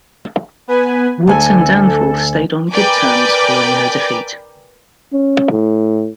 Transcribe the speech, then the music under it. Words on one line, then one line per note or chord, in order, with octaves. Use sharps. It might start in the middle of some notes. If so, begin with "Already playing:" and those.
Woods and Danforth stayed on good terms following her defeat.
B3 B4 G#5
D2 A4 G#5
A#4 B4 D5 G5 G#5 D6
C#4
A2